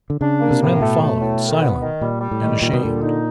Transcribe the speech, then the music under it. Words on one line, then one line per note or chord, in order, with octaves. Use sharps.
His men followed, silent and ashamed.
D3
C#3 D4
A#3
C3
A2
B2 A3
A3
A2
D#3
B3
D#3
A#2 G3
G3
A2
D#3
A#2 G3
B2
A#2 D3
D#4